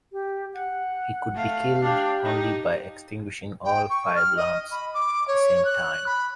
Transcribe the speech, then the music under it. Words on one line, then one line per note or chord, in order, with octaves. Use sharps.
He could be killed only by extinguishing all five lamps the same time.
G4
F#5
A3 F5
D4 G4 F5
D#4
G5
C#6
F6
D#5
B5
D6
C#5
F#6
B5